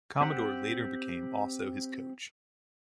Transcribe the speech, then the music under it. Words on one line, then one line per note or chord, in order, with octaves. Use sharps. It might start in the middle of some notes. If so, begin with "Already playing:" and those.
Commodore later became also his coach.
C4 G4 F#5